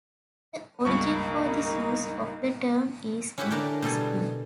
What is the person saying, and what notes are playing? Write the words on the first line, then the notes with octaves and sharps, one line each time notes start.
The origin for this use of the term is in dispute.
C#2 G2 A#3 D#4 C#6
C#4 E4 F#4 G4 B4 C#5
D3 D4 A#4 D5 G5
B2 G3 A4 G#5